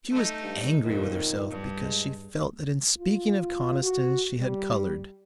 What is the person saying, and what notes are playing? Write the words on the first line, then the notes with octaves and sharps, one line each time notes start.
She was angry with herself because she felt that in speaking of Conniston she had colored.
A3 D#4
G2
F2 A#2 D#3
G2
G#3
F4
F#4
G3